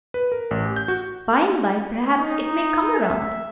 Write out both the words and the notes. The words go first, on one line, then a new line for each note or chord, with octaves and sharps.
By-and-by, perhaps, it may come round.
B4
A#4
A1
G4
G6
F#4
D#4
E5